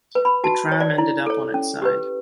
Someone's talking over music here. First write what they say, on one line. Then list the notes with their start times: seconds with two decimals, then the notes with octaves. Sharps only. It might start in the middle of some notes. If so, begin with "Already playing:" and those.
The tram ended up on its side.
0.15 B4
0.25 B5
0.44 F#4 A5
0.72 C#5
0.80 D5
0.98 E4
1.26 A4 C#5
1.54 C#4
1.82 G4 B4